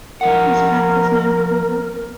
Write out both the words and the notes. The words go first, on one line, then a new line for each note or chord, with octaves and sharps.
His path is now clearer.
F3 A#4 D#5 F#5